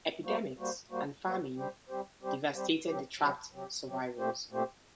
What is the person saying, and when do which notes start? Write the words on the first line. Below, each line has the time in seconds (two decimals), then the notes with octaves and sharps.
Epidemics and famine devastated the trapped survivors.
0.25 G3 A#3 F#4 C5
0.58 G3 A#3 F#4 C5
0.91 G3 A#3 F#4 C5
1.24 G3 A#3 F#4 C5
1.57 G3 C4 G4 C5
1.89 G3 C4 G4 C5
2.22 G3 C4 G4 C5
2.54 G3 C4 G4 C5
2.87 C3 F#3 C4 G4
3.20 C3 F#3 C4 G4
3.52 C3 F#3 C4 G4
3.86 C3 F#3 C4 G4
4.18 A#2 A3 C4 G4 C5
4.50 A#2 A3 C4 G4 C5